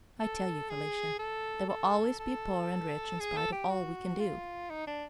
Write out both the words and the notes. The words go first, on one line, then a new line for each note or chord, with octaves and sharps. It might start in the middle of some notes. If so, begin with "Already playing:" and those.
I tell you, Felicia, there will always be poor and rich in spite of all we can do.
A4
G#4
A4
A4
A4
G#4
A4
G4
F#4
F4
D#4
D4